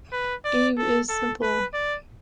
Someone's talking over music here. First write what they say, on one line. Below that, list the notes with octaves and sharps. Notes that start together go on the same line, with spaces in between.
Eave is simple.
B4
D5
A4
A4
B4
D5